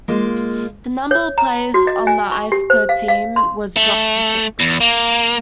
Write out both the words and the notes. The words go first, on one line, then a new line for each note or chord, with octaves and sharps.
The number of players on the ice per team was dropped to six.
G#3 A#3 F4
C#5
A#5
F#4
D#5
G#5
C#6
G4
C5
F5
F5
C6
A3
E2
A#3